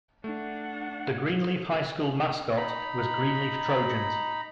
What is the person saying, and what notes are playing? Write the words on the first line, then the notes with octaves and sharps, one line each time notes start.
The Greenleaf High School mascot was Greenleaf Trojans.
A3 D4 F#5
D#4 A#5 B5